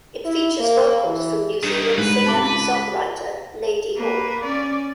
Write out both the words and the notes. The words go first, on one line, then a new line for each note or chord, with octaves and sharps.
It features vocals from New Zealand singer and songwriter Ladyhawke.
E4
A#3
E3
G2 D#3 A3
G#2 B4
C3 A5 D6
C#2
A#3 B4
C#4 D5